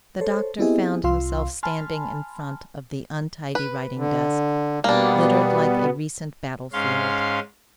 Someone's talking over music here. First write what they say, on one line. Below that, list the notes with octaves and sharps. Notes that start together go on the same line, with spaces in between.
The doctor found himself standing in front of the untidy writing desk, littered like a recent battlefield.
A4 C5 C#5
B3 C4 E4 G4 G#4 D#5
C2 F4 F5 C6 E6
G#5 A5 B5 C6 F6
B4
D3
B2 G3 A#3 B3 D4
G#2 C#4 F5 C6